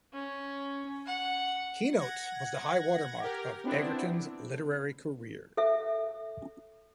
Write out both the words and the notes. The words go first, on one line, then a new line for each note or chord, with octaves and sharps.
"Keynotes" was the high-water mark of Egerton's literary career.
C#4
F#5
F#5 G#6 A#6
G4 A#4
B3 C4 D4 E4
A4 E5